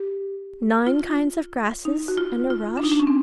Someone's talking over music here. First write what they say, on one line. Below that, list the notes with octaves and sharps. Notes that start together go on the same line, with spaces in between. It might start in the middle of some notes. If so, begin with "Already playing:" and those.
Nine kinds of grasses, and a rush.
Already playing: G4
F4
D#4
F#4
F4
F4
D4
D#4
D4
C#4
C4